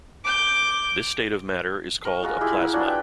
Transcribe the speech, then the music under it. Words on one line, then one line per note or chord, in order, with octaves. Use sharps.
This state of matter is called a plasma.
D6 G6
A#4 C#6
G#3 F4 F#4 A#4
E4 G4 G#4 C6
E4 A#4 F#5
D4 F4 F#4
B4 G5